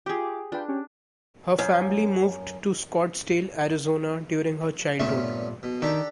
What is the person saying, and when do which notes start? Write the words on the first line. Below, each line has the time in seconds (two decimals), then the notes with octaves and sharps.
Her family moved to Scottsdale, Arizona, during her childhood.
0.06 F4 G4 G#4 D6
0.52 D4 F4 B4 G5
0.68 C#4 G4
1.59 F#2
4.99 G2 A#2 A3 B3 C#4 E5
5.63 B2
5.82 D#3 D4 G4 A4